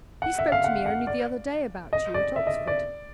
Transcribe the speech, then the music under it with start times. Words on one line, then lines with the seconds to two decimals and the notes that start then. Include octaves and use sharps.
He spoke to me, only the other day, about you at Oxford.
0.22 F#5
0.38 E5
0.52 F5
0.64 F#5
0.86 F#5
1.07 D5
1.93 D#5
2.14 D5
2.36 E5
2.47 D#5
2.67 D5